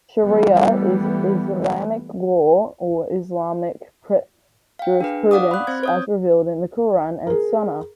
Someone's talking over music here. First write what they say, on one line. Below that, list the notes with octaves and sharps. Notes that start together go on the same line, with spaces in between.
Shari'a is Islamic law or Islamic jurisprudence as revealed in the Qur'an and Sunna.
E3 G3 A3 B3
F5 G5
D4 G#4 B4
D5 F5 F#5 D6 D#6
B5 F#6
C4 C5 G#6
C#5 D#6 G6
G#4 A#4